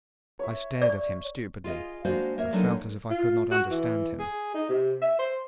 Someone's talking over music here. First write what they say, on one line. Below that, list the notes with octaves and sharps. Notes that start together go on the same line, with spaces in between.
I stared at, him stupidly, and felt as if I could not understand him.
C#5 E5
D5
F4 G#4 D#5 F5
G#3 A#3 D4 F#4 C5 F5
A#3 A#4 C#5 E5
F#3 G#3 A#3 D4 D#4 A4
F4
F#4
E3
G#4
D#4
C3
E5
C5